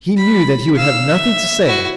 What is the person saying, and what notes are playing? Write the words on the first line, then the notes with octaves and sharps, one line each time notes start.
He knew that he would have nothing to say.
B5
F5 E6
E5
E4 F#4